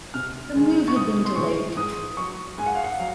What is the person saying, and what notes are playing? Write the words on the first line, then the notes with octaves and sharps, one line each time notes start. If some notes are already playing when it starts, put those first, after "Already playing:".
The move had been delayed due to legal problems.
C3 F6
D#3 G#3
C#6
C3 D#6
C6
D#3 G#3 C#6
G#2 D#6
F#3 C#6
G#2 G#5
F#5
F5
F#5
F#3 F5